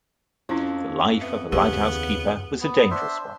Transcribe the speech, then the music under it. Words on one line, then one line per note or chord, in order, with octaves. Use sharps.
The life of a lighthouse keeper was a dangerous one.
F2 C#4 E4
B3 E5
D#2 C#3 B3 G4
B3
D4 C5 E5